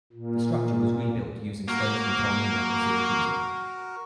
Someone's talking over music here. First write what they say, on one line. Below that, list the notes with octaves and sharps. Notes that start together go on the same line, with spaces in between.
The structure was rebuilt using stones from Taormina and Siracusa.
A#2
A#3 F#4 A#4